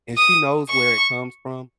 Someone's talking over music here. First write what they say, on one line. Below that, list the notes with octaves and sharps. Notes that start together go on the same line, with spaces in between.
and she knows where it comes from,
D#6
C#6